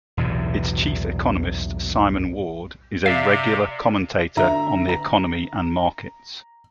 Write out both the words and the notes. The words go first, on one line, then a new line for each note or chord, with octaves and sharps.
Its Chief Economist, Simon Ward, is a regular commentator on the economy and markets.
B1 E2 A2 C3
C3 D5 E5 F5
D3 E5 A#5
A#5